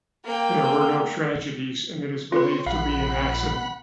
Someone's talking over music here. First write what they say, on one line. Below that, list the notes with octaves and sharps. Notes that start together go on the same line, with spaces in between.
There were no tragedies and it is believed to be an accident.
A#3 G5
C4 F4 B4 C#5
A#1 F5 F#5 B5